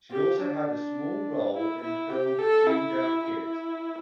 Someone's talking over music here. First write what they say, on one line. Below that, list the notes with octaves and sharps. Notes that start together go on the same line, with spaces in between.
She also had a small role in the film "Judas Kiss".
G4
D4
E4
E4
G4
A4
E4
E4